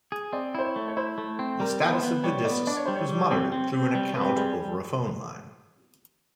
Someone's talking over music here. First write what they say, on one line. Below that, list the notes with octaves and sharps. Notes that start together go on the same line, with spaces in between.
The status of the discs was monitored through an account over a phone line.
G#4
C4 D5
E4 C5
C#5
A3
C#5
E4 C5
A3
C4
G3 A#4
B3
C5
B3
G3 C#5
B3 D5
D4 D5
C#5
G3 C5
C#5
G3
C4
C4
C4
G3
C4 B4
G4
G3 G#4